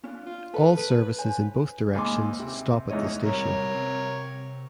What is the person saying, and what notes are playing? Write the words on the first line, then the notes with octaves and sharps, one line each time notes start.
All services in both directions stop at the station.
C#4 D4 F4
F4
A4 B4
B4
B4
C5 C#5 G#5
D#2 G#2 G#5 B5 C6 D6
C3
E2 G#2 E4 C#5 D#5
C3 G3 A#4 C#5
C3 C4